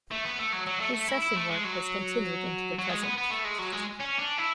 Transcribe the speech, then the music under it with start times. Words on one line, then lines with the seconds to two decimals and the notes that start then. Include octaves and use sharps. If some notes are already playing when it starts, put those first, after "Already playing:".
His session work has continued into the present.
0.11 A3
0.25 B3
0.39 A3
0.53 F#3
0.67 F#3
0.80 A3
0.94 A3
1.09 E4
1.22 E4
1.36 A3
1.50 G#3
1.64 F#3
2.79 F#3
2.89 G#3
3.03 B3
3.18 B3
3.31 A3
3.45 G#3
3.59 F#3
3.73 G#3
4.00 C#4
4.19 D4
4.38 E4